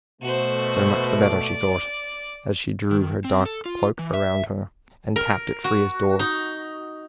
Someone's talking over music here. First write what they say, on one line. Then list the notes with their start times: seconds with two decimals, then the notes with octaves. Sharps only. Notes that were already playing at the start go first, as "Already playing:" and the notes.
So much the better, she thought, as she drew her dark cloak around her, and tapped at Frere's door.
0.22 B2 A3 F#4 C5
1.20 D5
2.91 D#3
3.24 C4
3.45 A4
3.66 F4
3.99 E3
4.14 E5
5.16 A#4
5.64 F#4
6.19 D#4